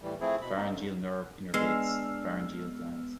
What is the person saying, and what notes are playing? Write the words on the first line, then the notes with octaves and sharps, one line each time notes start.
The pharyngeal nerve innervates pharyngeal glands.
A2 E3 G3
F3 A3 C4 E4 G#4
B2 B5
A#3 C4 D#4
F#2 D3
G#3 B3 D4 E6 F6 C7